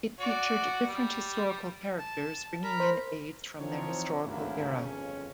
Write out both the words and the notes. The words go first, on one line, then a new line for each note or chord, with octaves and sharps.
It featured different historical characters bringing in aids from their historical era.
F#4 D5
G3
A5
A#4 A#5 B5
C5
E3 F3 C4 D#4 C#5
G#1 D2 G2 A#3 C#4 E4
G1 F2 C#3 C#4